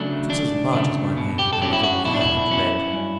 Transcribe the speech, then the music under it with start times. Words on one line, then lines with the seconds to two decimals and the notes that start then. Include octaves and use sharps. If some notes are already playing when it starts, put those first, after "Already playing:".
It was as large as my head, and of a violet red.
Already playing: C#3 F#3 A3 D4
0.29 D2 D4
0.73 C#3 F#3 A3
1.17 B2
1.39 G4
1.53 A4
1.62 F#3 C#4 G4
1.73 E4
1.83 F#4
2.05 B2 E4
2.14 D4
2.21 E4
2.50 F#3 C#4
2.93 G2